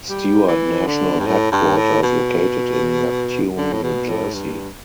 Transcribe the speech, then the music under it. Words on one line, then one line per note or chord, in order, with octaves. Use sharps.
Stewart National Headquarters, located in Neptune, New Jersey.
G3
E3
D3
G2
A2
G2
A2
B2
D3
A2
B2
A2
G2